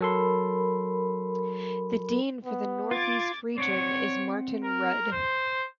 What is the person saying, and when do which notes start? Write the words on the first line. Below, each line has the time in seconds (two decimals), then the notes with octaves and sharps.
The dean for the Northeast Region is Martin Rudd.
0.01 F#3 A4 A#4 B5 C6
2.45 B3
2.91 F4 D6 G#6 A6
3.58 C4 C#5 D5 F#5
4.64 A#4
5.12 C5